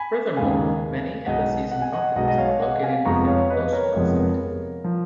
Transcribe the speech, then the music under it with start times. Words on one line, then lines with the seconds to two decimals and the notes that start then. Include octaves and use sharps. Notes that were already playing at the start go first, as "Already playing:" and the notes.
Furthermore, many embassies and companies are located within close proximity.
Already playing: G#5 B5
0.37 D#2 C#3 G#3 D#4 F5 G#5
1.26 B1 B2 G#3 D#5 F#5
1.72 F#5
1.82 G#5
1.92 D#5 F#5
2.16 B1 B2 G#3 D#5 F#5
2.28 D#5
2.38 C#5 F5
2.61 D#5 F#5
2.83 F5 G#5
3.05 F1 F2 F3 G#3 B3 A#5 C#6
3.27 C#5 F5
3.50 B4 D#5
3.72 A#4 C#5
3.95 F1 F2 F3 G#3 B3
4.84 F3